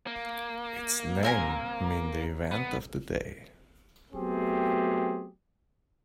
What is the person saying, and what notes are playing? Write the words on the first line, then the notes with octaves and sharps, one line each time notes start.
Its name means "The event of the day".
A#3
C4 A#4 G#5
B3
F#3 A3 B3 C4 G4 G#4